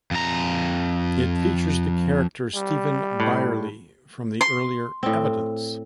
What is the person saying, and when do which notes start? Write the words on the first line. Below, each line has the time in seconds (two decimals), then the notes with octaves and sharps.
It features the character Stephen Byerley from the earlier "Evidence".
0.11 F2 A#5
2.55 G3
3.20 A2
4.41 C6
5.03 A2 C4